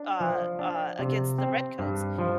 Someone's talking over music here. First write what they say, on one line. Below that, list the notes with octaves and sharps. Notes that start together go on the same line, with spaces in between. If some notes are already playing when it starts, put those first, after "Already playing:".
uh, uh, against the redcoats,
Already playing: D4
F3
D4
C3
C4
G2
F3